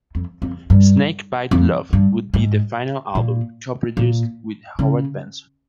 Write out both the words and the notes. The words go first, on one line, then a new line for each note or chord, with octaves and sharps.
"Snake Bite Love" would be the final album co-produced with Howard Benson.
F2
F2
G2
F2
G2
G#2
A#2
A#2
C#3